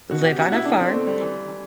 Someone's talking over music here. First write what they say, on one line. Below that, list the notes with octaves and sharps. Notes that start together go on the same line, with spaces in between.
live on a farm,
B2 F#4
G4
B2 F#4
E4
D3 D4
C4
D3 A3
G3
E3
E3